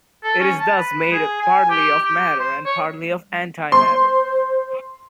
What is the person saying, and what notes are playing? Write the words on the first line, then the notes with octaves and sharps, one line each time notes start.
It is thus made partly of matter, and partly of antimatter.
A4
C#4
A5
B4
G#4
G#5
G4
G4
C5
C#5
C5 C6